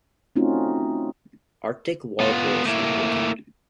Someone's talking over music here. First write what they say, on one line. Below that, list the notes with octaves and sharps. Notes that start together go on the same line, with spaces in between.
Arctic warblers in Britain.
A3 C4 C#4 D#4 F4 F#4
B3 F4
A3 A#3 E4